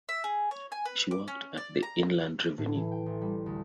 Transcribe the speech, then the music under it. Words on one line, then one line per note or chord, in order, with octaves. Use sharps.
She worked at the Inland Revenue.
E5
G#4
C#5
G#5
B4
D6
C#4
D5
A#5
A2
E3
G5
A1
G3
D2